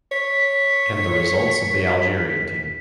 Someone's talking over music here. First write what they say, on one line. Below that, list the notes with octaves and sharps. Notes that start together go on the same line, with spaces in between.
And the results of the Algerian team.
C#5 B6